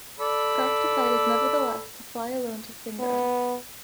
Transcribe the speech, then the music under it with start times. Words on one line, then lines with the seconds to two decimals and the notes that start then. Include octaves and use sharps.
Scarf decided nevertheless to fly alone to Singora.
0.20 A4 D5 B5
3.00 B3